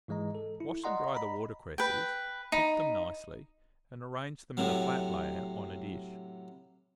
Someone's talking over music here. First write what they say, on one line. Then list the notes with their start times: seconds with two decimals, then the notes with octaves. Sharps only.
Wash and dry the water-cresses, pick them nicely, and arrange them in a flat layer on a dish.
0.08 G#2 E3 G#3 D#5 A#5
0.35 A4
0.60 E4
0.84 D5 D#5 F#5 A#5 C6
1.13 D#5 A#5 B5
1.78 B4 G5
2.52 D#4 B5
4.57 A2 C3 F#3